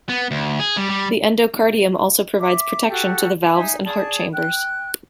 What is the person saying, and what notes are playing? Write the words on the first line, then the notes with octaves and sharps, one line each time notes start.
The endocardium also provides protection to the valves and heart chambers.
B3
D2
G#4
G3
G3
E5 D6
F#4 G4 A4
D#4 E5 G#5
G#4 D5 A5
G5 F#6